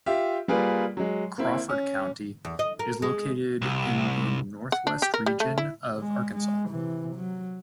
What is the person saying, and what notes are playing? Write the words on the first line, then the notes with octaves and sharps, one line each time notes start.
Crawford County is located in the northwest region of Arkansas.
F4 G4 E5
G3 A#3 F4 G#4 B4 D5
F#3 G#3
A#3 C4 E4
C#4
E2
D#5
A#4
G#3
C2
F#5
D4
G4
A#4
G3
A3
E4
G#3
G#3
C3 E3
F#3